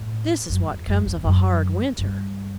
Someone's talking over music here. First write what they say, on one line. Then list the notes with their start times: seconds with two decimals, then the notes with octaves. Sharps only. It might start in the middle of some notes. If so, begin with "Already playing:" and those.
"This is what comes of a hard winter."
Already playing: A2
0.49 F#2
0.68 E2
0.87 F#2
1.05 E2
1.24 F#2
1.98 G2